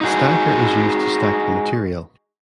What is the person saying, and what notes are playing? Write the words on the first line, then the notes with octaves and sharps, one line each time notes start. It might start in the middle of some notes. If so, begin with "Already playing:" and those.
A stacker is used to stack the material.
D#4 F#4 G#4